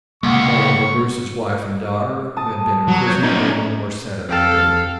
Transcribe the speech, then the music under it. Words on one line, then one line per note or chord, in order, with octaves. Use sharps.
Moreover, Bruce's wife and daughter, who had been imprisoned in England, were set at liberty.
C#2 C3 G#3 A#3 F#5 C#6
A5 D#6
F#3
C#5 G6 G#6
C#4 D#4 A#5
F2 A4 F5 G5 A5